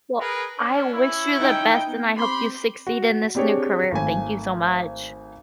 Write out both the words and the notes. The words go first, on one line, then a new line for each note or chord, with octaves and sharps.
Well, I wish you the best and I hope you succeed in this new career, thank you so much.
G#4 A#4 B4
A#3 C#4 D4
C#4 E4
D#4 G5
B3
C4 G4 B5 C6
F#4
C4 D4 G4 G#4 C#5
G#1 A3 G#5